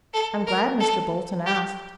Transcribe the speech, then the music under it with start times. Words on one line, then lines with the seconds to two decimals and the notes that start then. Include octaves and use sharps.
"I'm glad Mr. Bolton asked."
0.14 A4
0.47 A#4
0.80 A4
1.46 G4